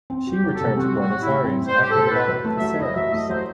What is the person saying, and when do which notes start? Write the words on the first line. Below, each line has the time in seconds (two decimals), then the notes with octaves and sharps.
She returned to Buenos Aires after the Battle of Caseros.
0.10 C4
0.27 F#4
0.33 G4
0.44 F#3
0.54 A4
0.61 C3
0.77 C4 F#4
0.94 A2
1.00 F#4
1.10 G3
1.22 E4
1.28 A2
1.44 C4
1.61 A2
1.67 C5
1.78 G3 G4
1.89 A4
1.94 A2
2.07 C5
2.11 E4 B4
2.28 F#3
2.44 A3
2.57 F#3 E5
2.79 E4 D#5
2.96 F#3 E5
3.12 A3 D#5
3.29 F#3 C5